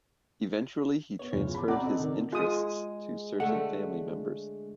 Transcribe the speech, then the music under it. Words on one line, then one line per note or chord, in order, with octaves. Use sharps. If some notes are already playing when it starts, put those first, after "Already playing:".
Eventually he transferred his interests to certain family members.
B3 C#5
E2 F4
B5 D6
C4 D5 F#5 A#5 D6
A4 D#5
D#3 A4 A#4
G#3 F4 G#4 D#6
D3 A3 F#5